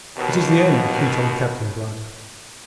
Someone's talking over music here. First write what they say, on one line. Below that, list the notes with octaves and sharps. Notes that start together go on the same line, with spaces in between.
"It is the end," he told Captain Blood.
D#2 B2